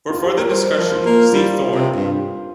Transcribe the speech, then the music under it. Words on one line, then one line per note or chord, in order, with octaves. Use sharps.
For further discussion, see thorn.
F4
G4
A#4
G3 C5
A#4
F3
F4
A#3
G3 F4
C3
G2